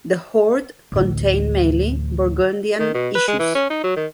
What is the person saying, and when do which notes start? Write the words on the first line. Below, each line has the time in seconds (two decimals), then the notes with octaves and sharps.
The hoard contained mainly Burgundian issues.
0.92 A1 D2
2.80 D#3
2.94 B2
3.15 B4
3.28 G#3
3.39 E3
3.55 C#4
3.70 D#4
3.83 F#3
3.96 D#3